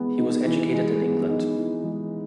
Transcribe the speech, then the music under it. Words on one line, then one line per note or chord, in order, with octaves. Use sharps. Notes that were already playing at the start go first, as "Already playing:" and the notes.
He was educated in England.
Already playing: E3 G#3 B3
D#4
E3
G#3
B3
D#4
E3
G#3